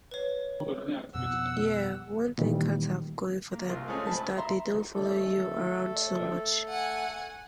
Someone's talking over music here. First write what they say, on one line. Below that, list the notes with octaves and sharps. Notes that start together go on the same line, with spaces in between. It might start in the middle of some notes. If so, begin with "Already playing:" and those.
Yeah, one thing cats have going for them is that they don't follow you around so much.
B4 C#5
F2 B2 F#5 E6
A#2 D#3 E3 G3
A#3
C2 F4 A#4
G#3 A3 C4 C#4 F4
A5 B5
E5 A#5 C6
A3 A4
F#5 G#5